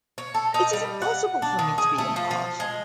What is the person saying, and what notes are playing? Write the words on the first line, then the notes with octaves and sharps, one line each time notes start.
It is impossible for me to be impartial.
C#5
A4
D#4
G3
F#5
D4
D#3
G#4
A3
F3
F3
G#3